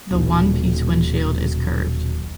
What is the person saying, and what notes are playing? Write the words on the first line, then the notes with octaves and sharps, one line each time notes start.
The one-piece windshield is curved.
D#1 B1